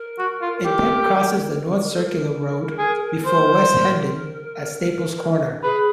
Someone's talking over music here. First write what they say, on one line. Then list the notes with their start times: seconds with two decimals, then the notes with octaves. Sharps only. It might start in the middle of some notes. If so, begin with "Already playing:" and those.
It then crosses the North Circular Road before West Hendon at Staples Corner.
Already playing: A#4
0.19 F#4
0.42 F4
0.65 G4
1.84 A#4
1.94 A4
2.04 A#4
2.78 G#4
3.26 C5
3.73 A#4
5.63 G#4 B4